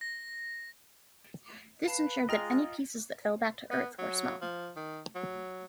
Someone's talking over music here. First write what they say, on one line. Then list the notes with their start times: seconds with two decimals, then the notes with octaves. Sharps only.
This ensured that any pieces that fell back to Earth were small.
0.01 A#6
1.86 B4 F5 A5 C7
2.29 G#3 F4 D#5 G5 A#5 F6
3.70 B3
3.99 F#3
4.41 F3
4.76 D#3
5.15 F#3